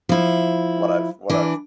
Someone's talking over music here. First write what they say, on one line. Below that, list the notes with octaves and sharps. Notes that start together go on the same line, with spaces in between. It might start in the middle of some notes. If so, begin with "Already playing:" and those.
what I've what I've
F3 E4
E3 D4